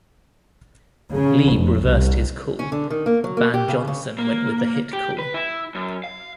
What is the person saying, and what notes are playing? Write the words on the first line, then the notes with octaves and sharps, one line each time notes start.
Lieb reversed his call, but Ban Johnson went with the hit call.
C#3
F1
C2
C#4
D3
D#3
A#3
F#3
A#3
G4
C#3
C#3
A#3
G4
B4
E4
F#2
F5